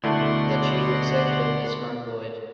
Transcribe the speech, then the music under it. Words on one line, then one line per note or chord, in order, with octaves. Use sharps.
The Chief Executive is Mark Lloyd.
D2 B2 A3 E4 D5 F#5 C6